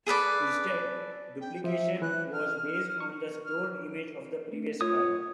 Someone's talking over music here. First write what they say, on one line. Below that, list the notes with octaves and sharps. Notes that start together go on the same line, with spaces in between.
Instead, duplication was based on the stored image of the previous card.
G#4 A4 B4 D5
G5
F3 E5
E3 F#6
F6
C#6
F6
A3
F4 C#5 D#6